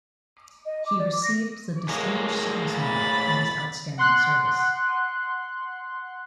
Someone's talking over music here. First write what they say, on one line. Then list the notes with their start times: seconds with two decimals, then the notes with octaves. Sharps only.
He received the Distinguished Service Medal for his outstanding service.
0.66 D#5
0.86 D6
0.99 D5
1.12 D6
1.23 A#6
1.89 A2 G#3 A#3
2.76 B5 A6
3.98 F#5 C6 F#6